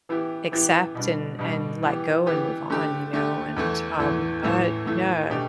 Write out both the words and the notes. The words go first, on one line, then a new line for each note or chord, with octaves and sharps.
accept and and let go and move on, you know, and, um but yeah.
E3 B3 E4 G4
E3 B3 E4 G4
B2 G3 D4
B2 G3 D4
E3 B3 G4
E3 B3 G4
D3 A3 G4
D3 A3 G4
E2 E3 A3
E2 E3 A3
A2 E3 A3
A2 E3 A3
B2 A3 D4 G4